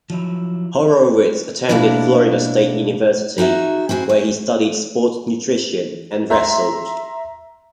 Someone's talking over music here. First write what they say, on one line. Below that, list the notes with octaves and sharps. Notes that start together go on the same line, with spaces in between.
Horowitz attended Florida State University, where he studied sports nutrition and wrestled.
F3 F#3 E4
B2 D#3 A#3 D4 E4 D5
D#4 F#4 G#4 E5
C4 E4 F#4 G#4
C#5
E5 A#5 C6